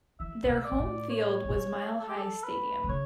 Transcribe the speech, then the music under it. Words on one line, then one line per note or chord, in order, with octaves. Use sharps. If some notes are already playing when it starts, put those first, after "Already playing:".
Their home field was Mile High Stadium.
E3 E5
C#3
B2
E5
D5
B2
A2
C#5
C#5
A4
G4
A4
B4
D3
C#3 C#5